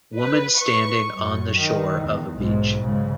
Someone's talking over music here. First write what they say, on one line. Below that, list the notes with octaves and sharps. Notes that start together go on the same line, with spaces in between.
Woman standing on the shore of a beach.
B4
C#6
F#2
D#3
E2
B1 G#2
G#2 C#3